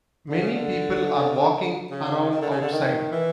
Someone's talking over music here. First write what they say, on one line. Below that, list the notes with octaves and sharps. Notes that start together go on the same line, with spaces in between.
Many people are walking around outside.
D3
C#3
D3
C#3
D#3
D3
C#3
D3
D#3
E3